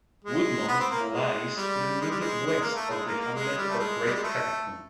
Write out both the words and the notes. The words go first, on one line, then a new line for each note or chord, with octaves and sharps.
Woodmont lies to the immediate west of the hamlet of Great Cacapon.
G#3
B3
C4
A#3
G#3
G3
G#3
G3
G#3
G#3
A#3
A3
G#3
A#3
A#3
G#3
G3
A3
G#3
G3
G#3
A3